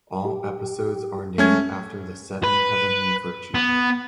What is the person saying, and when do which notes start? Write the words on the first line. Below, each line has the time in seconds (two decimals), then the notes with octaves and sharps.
All episodes are named after the seven heavenly virtues.
0.25 G4
1.38 G#3 A3 C#4 G#6
2.43 B4
3.55 B3